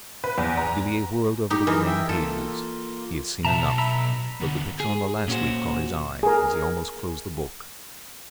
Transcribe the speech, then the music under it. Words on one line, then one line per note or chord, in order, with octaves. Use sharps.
Villiers whirled over the remaining pages; he had seen enough, but the picture on the last leaf caught his eye, as he almost closed the book.
B4
E2
A#5
D#4 G4
E3 G#4 A#4 D#5
E5 G5
A#3 F4 A4
B1 B2 E5 A5 A#5
A#5 B5 E6
D2 B3
G#4
A#2 C#4 F4 F#4 C5
G#4 A#4